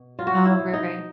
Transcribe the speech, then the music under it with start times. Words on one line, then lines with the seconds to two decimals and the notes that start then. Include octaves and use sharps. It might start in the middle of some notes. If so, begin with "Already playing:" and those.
Oh, right.
Already playing: B2
0.19 F#3 F4
0.27 F#4
0.35 F4
0.45 E4
0.59 B2
0.73 D#4